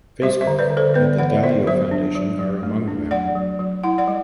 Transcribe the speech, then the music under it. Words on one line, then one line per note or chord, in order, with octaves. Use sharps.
Facebook and the Dalio Foundation are among them.
G3 C5 E5
C5 E5
D3
B4 D5
D3
A4 C5
B3 B4 D5
E3 D5 F#5
B3 C5 E5
F#3 C5 E5
D4
F#3
F#3
A3
D4
F#3 D5 F#5
F#3
F#3
E4 F#5
D5 F#5
G3